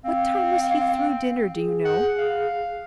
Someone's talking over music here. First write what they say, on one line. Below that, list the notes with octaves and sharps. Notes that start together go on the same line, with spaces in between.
"What time was he through dinner, do you know?"
C4 F5
G#4
F#5
F5